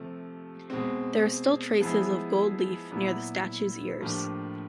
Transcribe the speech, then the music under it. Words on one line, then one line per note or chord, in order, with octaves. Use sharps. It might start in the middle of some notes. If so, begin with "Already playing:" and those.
There are still traces of gold leaf near the statue's ears.
Already playing: C3 F3 A3
B2 G#3 C4
F3 G#3 B3 E4 G#4
A#2 F#3 B3 E4
A2 F3 A#3 D4 G4